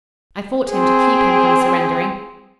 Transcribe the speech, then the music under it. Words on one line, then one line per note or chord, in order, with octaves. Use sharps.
I fought him to keep him from surrendering.
C4 G#4